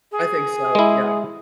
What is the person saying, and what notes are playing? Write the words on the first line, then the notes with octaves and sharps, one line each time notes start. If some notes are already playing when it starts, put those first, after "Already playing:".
I think so, yeah.
G#4
G#3 E4